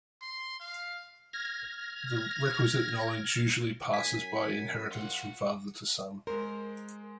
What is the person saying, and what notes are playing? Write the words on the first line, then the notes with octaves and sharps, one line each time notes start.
The requisite knowledge usually passes by inheritance from father to son.
C6
F5
F6 G#6 A#6
F#2 G#5 B6
F4 F#5
G#3 A#4 C5